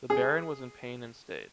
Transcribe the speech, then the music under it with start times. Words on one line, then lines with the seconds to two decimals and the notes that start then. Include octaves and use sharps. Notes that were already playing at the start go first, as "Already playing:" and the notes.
The baron was in pain and stayed.
0.10 G#4